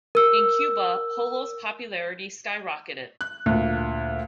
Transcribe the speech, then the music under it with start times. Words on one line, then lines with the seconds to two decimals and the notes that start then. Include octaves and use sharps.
In Cuba, Polo's popularity skyrocketed.
0.15 A#4 E6
3.21 F#6
3.46 D2 A#2